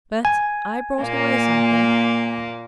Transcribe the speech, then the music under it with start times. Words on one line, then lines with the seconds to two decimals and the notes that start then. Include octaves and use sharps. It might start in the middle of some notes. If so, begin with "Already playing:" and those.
But I brought away something.'
0.25 G#5
1.02 A#2 A#3